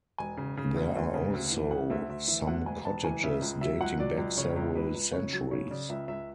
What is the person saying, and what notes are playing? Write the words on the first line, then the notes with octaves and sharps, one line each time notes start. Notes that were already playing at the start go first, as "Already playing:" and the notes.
There are also some cottages dating back several centuries.
E1 G#5
C#3
C#3
D2
D2
C#3
D2
E3
C#3 F#5
D2 E5
D2 E5
E3 E5
D2 F#5
E1 G#5
E1 A5
E3 G#5
C#3 E5
C#2
F#3 E5
C#2 F#5
F#3 D5
C#2
C#3 C#5
C#2
C#2 B4
C#2
C#3 C#5
F#3
C#3 C#5
C#3 D5
C#2 E5
C#2 E5